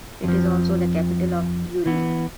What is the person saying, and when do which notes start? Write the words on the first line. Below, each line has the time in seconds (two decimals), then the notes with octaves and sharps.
It is also the capital of Uri.
0.24 F2 F3
1.86 E3 B3